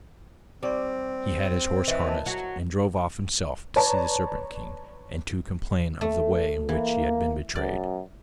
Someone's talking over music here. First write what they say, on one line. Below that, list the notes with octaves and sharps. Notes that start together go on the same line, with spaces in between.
He had his horses harnessed and drove off himself to see the Serpent King and to complain of the way in which he had been betrayed.
G3 C4 D#4 D5 C#6
E3 D#5 E5
A#4 D#5 A5
F#3
B4 C#5 D5 A5 A#5
A3
E3 A#3
F#2 D5